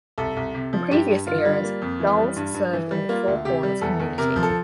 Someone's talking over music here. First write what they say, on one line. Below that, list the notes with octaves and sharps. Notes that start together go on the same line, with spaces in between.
In previous eras, Dulles served the Four Corners community.
C2 A4
C2
C3
F3
G2 G4
G2
D3 F4
G3
A#3
F2
E3
G3
G2
G2
E3
G3
A#3 F4
D2
C3 G4
G3
E2 A4
E2
C3 A#4
F3
A4